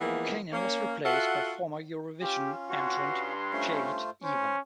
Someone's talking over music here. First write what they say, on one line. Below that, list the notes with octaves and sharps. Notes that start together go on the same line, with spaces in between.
Buchanan was replaced by former-Eurovision entrant Jade Ewen.
E3 F3 G#3 A#3 B3
A#3 C#4
F4 F#4 A4 E5 F#5
C#4 F4 G4
G2 F#4 C6
A3 C#4 F4 C5
C#4 C5